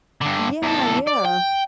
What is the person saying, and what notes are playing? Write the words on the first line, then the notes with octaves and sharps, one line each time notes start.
Yeah, yeah.
G2 D3
E2 A4
D5
G5